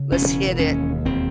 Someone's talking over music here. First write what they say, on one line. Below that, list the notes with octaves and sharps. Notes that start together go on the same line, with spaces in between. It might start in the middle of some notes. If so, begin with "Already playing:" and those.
let's hit it,"
Already playing: C#3
E1 C#4
D#2 C#4
E1 C4